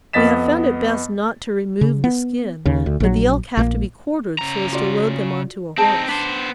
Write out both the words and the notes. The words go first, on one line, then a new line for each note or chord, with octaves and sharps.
We have found it best not to remove the skin, but the elk have to be quartered so as to load them on to a horse.
F2 B3 D#5 A6 B6 E7
C#3
B3
D#2 C#3
D2
A#1 F#3
A#1 D#3 A#3
C#3 A#5
F4 F#4 D5
C4 D#4 G#4 A5
B3 D4 C5